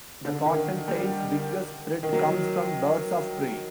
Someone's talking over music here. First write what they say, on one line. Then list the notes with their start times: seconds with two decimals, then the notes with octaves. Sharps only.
The cottontail's biggest threat comes from birds of prey.
0.25 D3
0.46 D#3
0.88 G3
2.03 D#3
2.13 F#3